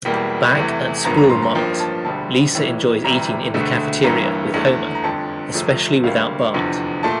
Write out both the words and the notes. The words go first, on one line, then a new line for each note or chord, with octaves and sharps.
Back at Sprawl-Mart, Lisa enjoys eating in the cafeteria with Homer, especially without Bart.
E1 E2 E3 G3 A#3 G5
E2 C3 E3 A3
G1 G2 F3 A#3 A#5
A#5
C6
A#5
A1 G2 F3 A#3 G5
A5
E1 D2 D3 G3 A5
A1 A2 E3
D2 C3 E3 G3 A#5
E1 D2 D3 A3
G1 G2 E3 A#3 A#5
E2 D3 A3
A#5
G1 F2 D3 A5
G1 F2 C3 F3 A3
D2 D3 G3 A#3 F5
F1 E2 D3 F3
A#2 A3 A5